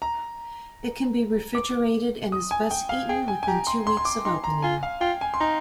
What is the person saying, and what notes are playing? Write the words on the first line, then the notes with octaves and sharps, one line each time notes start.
It can be refrigerated and is best eaten within two weeks of opening.
A#5
D6
D#6
G#5
G5
F5
G#4 G5
G#5
G#5
G4 A#5
C6
C6
C6
D6
D#4 C6
A#5
F4 G#5
F5
F4 G5
G#5
C6
D#4 A#5